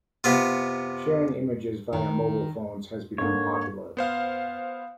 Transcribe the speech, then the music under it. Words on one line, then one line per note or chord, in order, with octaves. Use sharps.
Sharing images via mobile phones has become popular.
C3 B3 F4
D#3
G#2 D3 A#3 C#5
B3 C5 F5